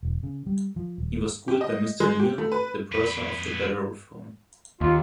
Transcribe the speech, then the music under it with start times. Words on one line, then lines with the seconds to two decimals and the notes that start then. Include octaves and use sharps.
He was schooled by Mr Neale, the purser of the "Bellerophon".
0.03 E1
0.23 C#3
0.46 G3
0.76 F3
0.98 D#1
1.48 G4
1.61 D#5
2.00 G#3
2.20 G4
2.38 A3
2.52 B4
2.92 F2 B4
4.81 D#2 F4